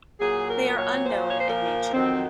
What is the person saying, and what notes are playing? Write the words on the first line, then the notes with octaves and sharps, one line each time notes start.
They are unknown in nature.
A#2 F#3 G#4
A#4
C#5
A#2 F3 C5
C#5
C5
A#4
F2 D#3 F#3 C4